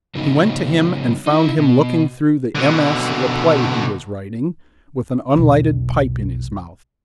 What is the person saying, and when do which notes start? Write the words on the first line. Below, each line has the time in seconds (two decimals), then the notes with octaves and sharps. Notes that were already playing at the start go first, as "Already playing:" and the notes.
He went to him and found him looking through the MS. of the play he was writing, with an unlighted pipe in his mouth.
0.15 G#2 C#3 F#3 G#3 B3 D#4
1.26 D#4 E4
1.58 B2
2.55 B2 D3
5.36 B1 E2